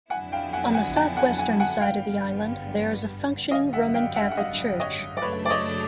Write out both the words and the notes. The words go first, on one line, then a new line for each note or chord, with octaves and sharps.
On the south-western side of the island there is a functioning Roman Catholic church.
F2 D3 F#3 B3 E4 F#5 G#5
F5 G5
F#5 G#5
F#5 G#5
G5 A5
F#5 G#5
F#5 G#5
F#5 G#5
G#1 G2 D3 G3 B3 F5 G5
G#1 F#2 D3 G3 D#5 F5
E5 F#5
F5 G5
E5 F#5
F#5
D#5 F5
C#5 D#5
D5
F#2 C#3 F#3 A3 D4 B4 C#5
D5
C#5 D#5